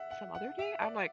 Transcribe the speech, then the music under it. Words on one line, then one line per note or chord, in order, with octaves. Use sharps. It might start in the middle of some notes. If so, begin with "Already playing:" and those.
some other day?" I'm like
Already playing: E5 F#5
F#5
F#5
E5
D5